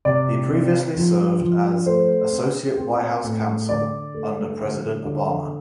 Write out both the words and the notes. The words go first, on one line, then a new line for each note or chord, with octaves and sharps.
He previously served as Associate White House Counsel under President Obama.
C3 D5
C4
F3
F3
A3 C5
C4
C4
A2
D3 D5
A3
D3
D3